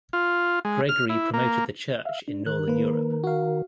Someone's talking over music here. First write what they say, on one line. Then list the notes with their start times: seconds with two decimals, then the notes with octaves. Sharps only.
Gregory promoted the Church in northern Europe.
0.13 F4
0.65 G#3
0.89 F6
1.10 E4
1.34 A#3
2.05 E5 F5
2.28 D4
2.46 D#3 A#4 F#6
2.68 A#3 B4
3.24 F#4 F5